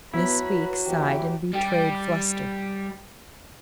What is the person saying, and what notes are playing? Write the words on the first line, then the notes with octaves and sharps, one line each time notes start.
Miss Weeks sighed and betrayed fluster.
F#3 B3 E4 B5
B4
E2 E3 G4
G3 G4